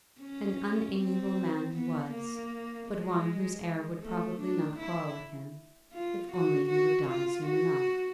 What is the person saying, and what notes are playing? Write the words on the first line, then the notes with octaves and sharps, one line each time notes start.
An unamiable man he was, but one whose heir would probably not quarrel with him--if only he would die soon enough.
C#4
C4
B3
A#3
G#3
A3
D4
E4
F4
F#4
F#4
F4
F#4